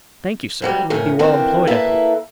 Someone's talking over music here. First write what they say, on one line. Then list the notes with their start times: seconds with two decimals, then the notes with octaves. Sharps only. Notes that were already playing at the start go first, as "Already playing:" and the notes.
"Thank you, sir; it will be well employed, I hope."
0.62 G#2 F#3 G3
0.90 F2 A2 C#4 A#4
1.19 D3 E3 F3 C4 A#4
1.67 A#3 E4 A4 B4